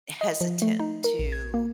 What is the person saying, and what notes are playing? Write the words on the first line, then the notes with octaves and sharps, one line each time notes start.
eh hesitant to,
D#5
F3
A3
D#4
A#4
A#1
G#6
A#3